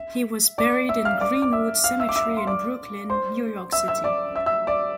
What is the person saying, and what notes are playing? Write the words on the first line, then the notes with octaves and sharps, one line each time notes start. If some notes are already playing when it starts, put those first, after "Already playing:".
He was buried in Green-Wood Cemetery in Brooklyn, New York City.
Already playing: E5
D5 D6
E5 E6
F5 F6
D5 D6
D6
E5 E6
F5 F6
E5 E6
D6
E5 E6
C6
D5 D6
C5 C6
E5 E6
E5 E6
D5 D6
E5 E6
E5 E6
D5 D6